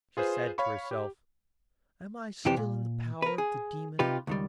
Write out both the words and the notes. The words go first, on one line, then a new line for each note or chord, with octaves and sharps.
She said to herself, 'Am I still in the power of the demon?
F4 G#4 B4 C5
C#5 F5 B5 C#6
G4
F2 C3 E3 G3 G4 C5
A#2
A#4 B4
G#4
C3 D#4 F4 G4 B4
C#2 D#3 G3